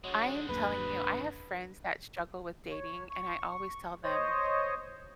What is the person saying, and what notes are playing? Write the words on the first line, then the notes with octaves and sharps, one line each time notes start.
I am telling you, I have friends that struggle with dating, and I always tell them
D3 F#3 G#3
D#1 F#2 A#3 B4
C#5
C#6
C5 C#5 D#5